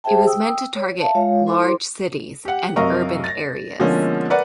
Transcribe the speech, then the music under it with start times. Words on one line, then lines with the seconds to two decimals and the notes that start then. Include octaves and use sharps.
It was meant to target large cities and urban areas.
0.04 G4 G#4 C5 E5 G5 A5
0.27 G5 D#6 E6
0.76 C#5
1.01 E5 F5 A5
1.15 G#3 F4 C#5 F5
1.47 E4 A4 C5 C6 D6
2.45 G4 F#5
2.76 F#2 C3 A#4 D#5 F5 C#6
3.24 A6 A#6
3.79 B2 D3 F3 G#3 A#3 C#4
4.30 A#4 B4 D5 F#5